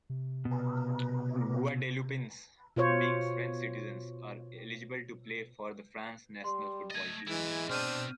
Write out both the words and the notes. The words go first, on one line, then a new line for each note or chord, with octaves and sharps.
Guadeloupeans, being French citizens, are eligible to play for the France national football team.
C3
B2
B2 F4 C5 C#5
G3 C6
A3 D#5 G#6 A6
B1 E3 G#3 E4
B2 C4 D4 F6 G6 D#7